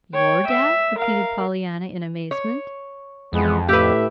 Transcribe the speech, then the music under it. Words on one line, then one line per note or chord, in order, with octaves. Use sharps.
"Your--dad?" repeated Pollyanna, in amazement.
C#5 G5
E5
A#4 F5
C#5
F2 E3 G#3 B3
A2 A3 G4 B4 E5